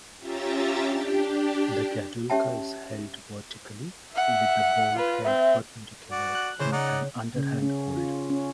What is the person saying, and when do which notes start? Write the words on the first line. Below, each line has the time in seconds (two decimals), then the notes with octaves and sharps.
The gadulka is held vertically, with the bow held perpendicular in an under-hand hold.
0.19 C#4 F4 G4 E5 A#5 A6
0.85 D4 G4
2.30 C#4 G4 C#5 E5 G5 A5
4.13 E5 F#5
4.95 F4 B4
5.25 C4 E5
6.11 F#4 D5
6.35 F#6
6.59 C#3 E3 C5
6.72 D#4 D5 F#5
7.36 C#3
7.63 C#4
7.97 F4
8.30 C#4